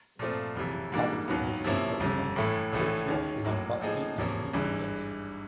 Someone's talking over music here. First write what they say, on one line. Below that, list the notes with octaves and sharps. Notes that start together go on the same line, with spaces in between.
Other significant settlements include Brixworth, Long Buckby and Weedon Bec.
A#2 F3 A3 C4 F4
F#1 F2 C3 E3
G#2 E3 G3 A#3 D4
D#2 D#3 F#3 B3
C3 F3 A#3 C#4 E4
G1 F2 C3
A2 E3 A3
A#1 A2 E3 A3
D#2 D#3 G#3 C#4
A1 A2 F#3 A#3
A2 F3 A#3 D#4 G#4
E2 C3 F3 A#3 C#4
G#1 G2 E3 G#3